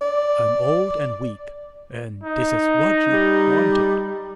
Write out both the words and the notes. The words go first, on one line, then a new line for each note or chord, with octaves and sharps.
I'm old and weak and this is what you wanted.
D5
D#4
G3